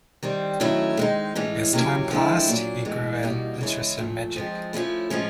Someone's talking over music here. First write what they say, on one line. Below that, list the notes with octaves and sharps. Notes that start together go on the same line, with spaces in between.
As time passed, he grew an interest in magic.
D#3 G3 C4
D#3 F#3 A3 C#4 E4
D#3 G#3 C4 D#4
A2 E3 G#3 C#4
C3 D#3 F#3 A#3 C#4
D3 F3 G#3 C4 E4
A#2 F#3 A#3
A2 E3 G#3
B2 G3 A#3 D#4
C#3 E3 G#3 C#4 E4
A#2 F3 A3
F3 G#3 C4
F3 A3 C#4 E4
A2 F3 G#3 C#4